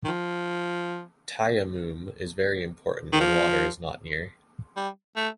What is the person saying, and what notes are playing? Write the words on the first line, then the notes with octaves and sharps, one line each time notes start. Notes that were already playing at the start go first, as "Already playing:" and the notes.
Tayammum is very important when water is not near.
D#3
F3
D#3
F3
G3
A3